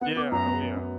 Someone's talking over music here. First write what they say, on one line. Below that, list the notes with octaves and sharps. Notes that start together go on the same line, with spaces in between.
Yeah, oh, yeah.
B3 F#5
B3 D6
F#2 A#5
B3
F#2
B3